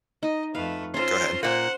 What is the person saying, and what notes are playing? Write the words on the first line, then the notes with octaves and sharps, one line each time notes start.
go ahead.
D#4 D#5
F2 A3 B4 F5
C#4 F4 A4 C5 A#5 C6
A#2 A#3 C5 F#5